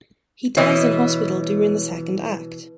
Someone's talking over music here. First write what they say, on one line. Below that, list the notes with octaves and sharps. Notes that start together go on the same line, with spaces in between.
He dies in hospital during the second act.
B2 E3 C#5 D#5